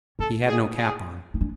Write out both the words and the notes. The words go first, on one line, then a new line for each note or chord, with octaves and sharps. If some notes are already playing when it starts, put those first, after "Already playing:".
He had no cap on.
C#4 A4
G#4
G#4
D#4
D4